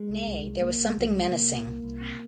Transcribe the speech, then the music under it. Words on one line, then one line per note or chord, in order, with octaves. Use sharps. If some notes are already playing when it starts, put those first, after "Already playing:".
Nay, there was something menacing.
Already playing: G#3
C2
C2
C2
C2 A#3
C2
G#3
C2 F#3
G#3
C3
C3 A#3
C2
C2
C2
C3